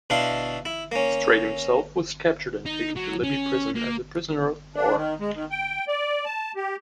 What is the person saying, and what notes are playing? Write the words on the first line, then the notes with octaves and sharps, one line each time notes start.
Streight himself was captured and taken to Libby Prison as a prisoner of war.
B2 D4 E4 F5 C6
E4
A#3 C#4
D#4
F#3
C#4
A#3
D4
D#3
G#3
D#3
G5
D5
A5
G4